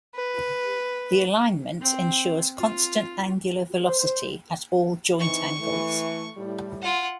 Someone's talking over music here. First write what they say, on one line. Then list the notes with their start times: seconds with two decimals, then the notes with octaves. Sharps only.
The alignment ensures constant angular velocity at all joint angles.
0.15 B4
1.81 C4
2.57 F4
3.83 C5
5.20 E3 C4 D#4 C#6
5.59 E3 A3
6.36 A2 G3
6.82 F4 F#5